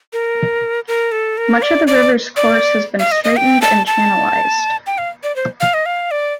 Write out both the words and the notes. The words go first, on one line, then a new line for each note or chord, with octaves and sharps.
Much of the river's course has been straightened and channelized.
A#4
A#4
A4
A#4
D5
D5
D5
F5
D#5
D#5
G5
A5
A5
G5
F5
D5
C5
F5
D#5
F5
D5